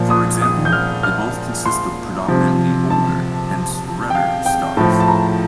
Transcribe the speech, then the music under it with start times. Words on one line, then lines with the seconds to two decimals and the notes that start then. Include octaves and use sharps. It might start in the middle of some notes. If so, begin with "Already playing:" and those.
For example, they both consist of predominately older, hence redder, stars.
Already playing: A#2 F3
0.10 D#6
0.41 D#6
0.65 G6
0.73 F6
1.03 F6
1.66 C6
2.28 C3 F3
2.90 A5
4.10 G5
4.15 F5
4.46 G5
4.77 A2 F3 A5
5.00 A5
5.08 A#5